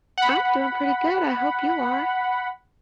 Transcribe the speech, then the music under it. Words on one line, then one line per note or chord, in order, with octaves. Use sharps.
I'm doing pretty good, I hope you are.
F#5 B5